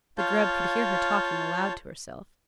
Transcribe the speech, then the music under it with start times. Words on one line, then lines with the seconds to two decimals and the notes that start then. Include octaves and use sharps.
The Grub could hear her talking aloud to herself.
0.18 F4 C#5 F5 A5 G6